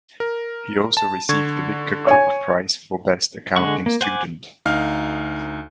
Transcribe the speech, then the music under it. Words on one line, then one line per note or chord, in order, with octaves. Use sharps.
He also received the Victor Crooke Prize for Best Accounting Student.
A#4
A5
D3 C#6 G#6
C#5 G#5
D3 G#3 F#5 C#6
A#3
C5 F#5 G#5 D6
D2 D#4 F5 F6